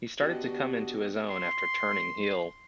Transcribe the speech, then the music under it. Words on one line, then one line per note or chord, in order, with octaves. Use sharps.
He started to come into his own after turning heel.
D3 B3 D4 F#4 G4 D#5
C6